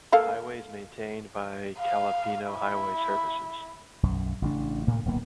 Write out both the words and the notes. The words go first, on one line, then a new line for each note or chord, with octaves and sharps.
The highway is maintained by Capilano Highway Services.
A#3 A4 F5
F5
E4
B1 F#2
A1 C#3 D4
D2 A2 A#3
D1 B1 A#3 B3